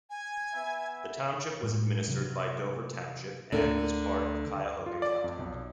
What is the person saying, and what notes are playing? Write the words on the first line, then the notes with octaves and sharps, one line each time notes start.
The township was administered by Dover township and was part of Cuyahoga County.
G#5
B3 E4 E5
A2 G#3
C3 F#3
D2 D3 A3 A#4
F4
D5
F2
B1